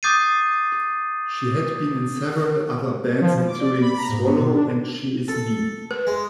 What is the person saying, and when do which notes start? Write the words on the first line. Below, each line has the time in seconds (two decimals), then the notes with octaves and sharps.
She had been in several other bands including "Swallow" and "She Is Me".
0.03 D6 D#6 G6 A6 C7 D#7
3.21 F3
3.33 B2
3.48 D6
3.60 D5
3.81 B5
3.97 A#5
4.09 G#2
4.23 B3
4.39 B2
4.53 D4
5.28 A4
5.91 B4
6.07 G#3